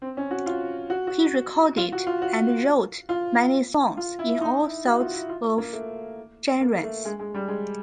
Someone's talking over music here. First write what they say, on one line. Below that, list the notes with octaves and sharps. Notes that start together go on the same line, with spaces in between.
He recorded and wrote many songs in all sorts of genres.
C4
C#4
F#4
F4
F#4
F#4
F4
F#4
F4
F#4
F4
F4
E4
D#4
E4
F#4
F4
E4
F4
A#3
A3
A#3
A3
G#3
G#3
G3
G#3